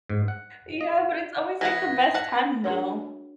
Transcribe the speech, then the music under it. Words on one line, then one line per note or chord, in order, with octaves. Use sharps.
Yeah, but it's always, like, the best time though.
G#2
F#5
D#5
E3 B3 F#5 G#6 A#6 B6
G#4 F#5 A5
D4 F#4 G#4 A#4 C#5